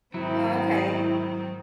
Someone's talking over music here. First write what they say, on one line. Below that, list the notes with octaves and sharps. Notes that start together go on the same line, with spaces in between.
Oh, okay.
G#2 D#3 F#3 C4 E4